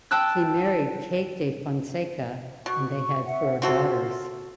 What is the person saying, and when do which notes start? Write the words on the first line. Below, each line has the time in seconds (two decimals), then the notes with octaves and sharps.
He married Kate de Fonseka and they had four daughters.
0.11 G5 A5 E6 F#6
2.66 B2 C#6
3.23 E5 F#5
3.62 C4 F4 F#4 A4